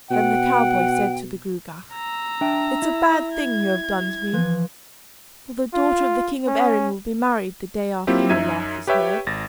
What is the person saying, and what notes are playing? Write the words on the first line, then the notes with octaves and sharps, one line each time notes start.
Then the cowboy said to the Gruagach: "It's a bad thing you have done to me, for the daughter of the king of Erin will be married the day after your laugh is heard."
B2 F#5 G5
A#5 E6
D4 E5 G5
E4
G#6
E3 F3 B4
F4
C#4
F#3 A#3 C4 E4 F4 G4
F#2 D#4 E5 G#6 D#7
G4 B4 C#5 E5 G5
G#1 A6 A#6